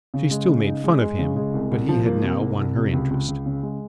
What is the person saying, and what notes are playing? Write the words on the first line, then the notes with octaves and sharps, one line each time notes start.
She still made fun of him, but he had now won her interest.
C#3
G#3
C#3
D#4
G#3
G#3
C#3
G#3
C2
C2
F3
A#3
C3
C2
C2
C3
C#2
C#2
C#2
C#3
G#3